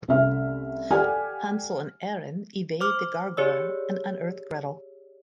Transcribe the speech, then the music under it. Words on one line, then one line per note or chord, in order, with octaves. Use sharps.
Hansel and Ehren evade the gargoyle and unearth Gretl.
C2 C3 A3 C#4 E5 F6
G4 A4 D5 F#5 G#5 F6
C5 D6 F6
G4 G#4 C#5 D5 E6